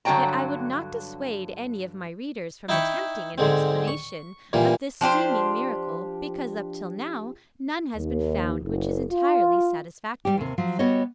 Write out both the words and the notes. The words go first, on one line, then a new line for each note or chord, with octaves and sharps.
Yet I would not dissuade any of my readers from attempting an explanation of this seeming miracle because up till now none has been found which is entirely satisfactory.
G2 D3 F#3 C#5 G5 A#5
D#4 E4 E5 G5 B5 C#6
G#2 D3 G#3 C4
C#6
G2 A#2 E3 A#3
F3 D4 G4 C5
D#2
F#1
F4
G3 G4
D#2 C3
F3 F#3
G3 B3 F#4 C#5 D#5